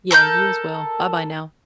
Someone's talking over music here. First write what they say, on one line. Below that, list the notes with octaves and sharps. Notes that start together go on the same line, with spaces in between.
Yeah, you as well. Bye-bye now.
A4 A#4 C#6 G6